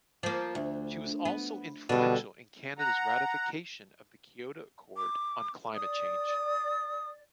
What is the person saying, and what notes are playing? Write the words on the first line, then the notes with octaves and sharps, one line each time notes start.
She was also influential in Canada's ratification of the Kyoto Accord on Climate Change.
F3 A#3
D2
B3
B2 D3 G3
F#5 A#5
D6
D5 D#6